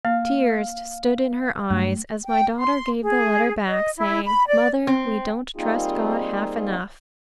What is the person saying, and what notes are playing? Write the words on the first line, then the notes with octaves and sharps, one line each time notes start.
Tears stood in her eyes as my daughter gave the letter back, saying: "Mother, we don't trust God half enough!"
A#3 F5
G2 A3
G5
C6
G#4
D#5
E4
B5
D5
C4
G3 A#3 C4 D#4 F4 G#4